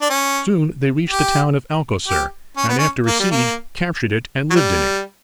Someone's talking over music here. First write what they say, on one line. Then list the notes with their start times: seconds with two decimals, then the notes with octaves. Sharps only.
Soon they reached the town of Alcocer, and after a siege captured it and lived in it.
0.02 D4
0.10 C#4
1.10 G4
2.08 G4
2.57 C#4
2.69 B3
2.79 C#4
3.07 A#3
3.20 G3
3.31 A#3
4.51 F#3
4.55 G3